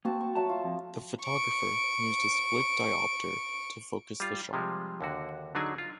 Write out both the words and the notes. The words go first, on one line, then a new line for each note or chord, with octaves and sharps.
The photographer used a split-diopter to focus the shot.
A#3 C4 F#4 A5
C#6
F#3 E5 F#5 A5
F4
F2
C#6 D7
G3 F4
C3 F3 G3 G#3
D#2 D3 F#4
D3 F#3 D4 D#4 G#4 G#5
F4